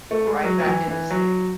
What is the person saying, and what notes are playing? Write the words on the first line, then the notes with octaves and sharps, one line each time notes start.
right back into staying.
A3
G#3
F#3
F#3
E3
E3
F#3